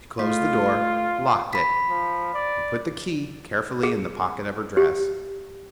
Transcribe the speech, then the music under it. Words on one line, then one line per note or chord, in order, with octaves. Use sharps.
She closed the door, locked it, and put the key carefully in the pocket of her dress.
A3 F4
B5 B6
F3
D5
G#4
G4